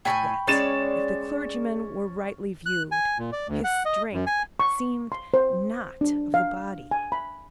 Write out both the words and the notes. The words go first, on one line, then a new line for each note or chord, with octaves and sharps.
Yet, if the clergyman were rightly viewed, his strength seemed not of the body.
A2 G#4 G5 G#5 B5 C#6
G#3 C#4 C#5 D5 A6 E7
F#6
G#5
A#2
D5
D2
F#5
D#5
F#2
G#5
C#6
C6
C5
D4
F5
G#5
B5